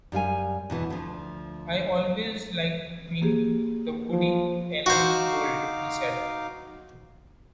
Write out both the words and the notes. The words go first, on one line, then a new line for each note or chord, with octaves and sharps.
"I always like being in Woody Allen's world," he said.
F#2 G3 F5 G#5
E2 B2 E3
D2 F3
A#3 G4 G#4
F3
D#4 F#4 C5 F5 D6